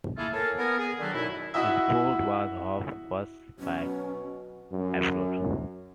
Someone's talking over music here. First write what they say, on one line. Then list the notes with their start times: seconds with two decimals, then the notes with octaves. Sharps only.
This bout was Hope's first fight abroad.
0.18 A3 A#3 E4 F4 G#4 A4
0.33 A4 A#4 C#5 F5 G#5 A5
0.58 B3 A#4 G#5
0.78 G#4
1.00 D3 D#3 F#3 A3 F#4 A4
1.13 F#2 B2 D#4 E4
1.54 E4 F#4 D#5 E5
3.59 B2 F#3 C#4
4.72 F#2